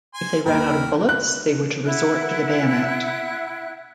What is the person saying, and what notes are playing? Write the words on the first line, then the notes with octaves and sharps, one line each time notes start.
If they ran out of bullets they were to resort to the bayonet.
G#5 C6
D#2 A#4 D#5 G5 B5
F#6
E4 E5 F#5 F#6